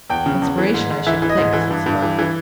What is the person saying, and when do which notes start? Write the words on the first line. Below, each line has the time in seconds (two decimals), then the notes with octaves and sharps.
"Inspiration, I should think," said Spargo.
0.10 E2 G5
0.26 C#3
0.42 E2
0.58 E3
0.74 G#2
0.91 G#2
1.07 E3 E5
1.22 E3
1.29 D#5
1.38 G#2
1.53 E3
1.70 G2
1.86 G2
2.02 E3
2.19 E3